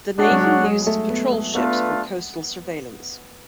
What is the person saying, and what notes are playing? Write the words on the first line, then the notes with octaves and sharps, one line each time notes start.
The Navy uses patrol ships for coastal surveillance.
G#3 D4 F#4 C#5 F#5
F#3
G#3
G#3
G#3
A3
B3
A3
A3 B3 D4 F4 B4 F5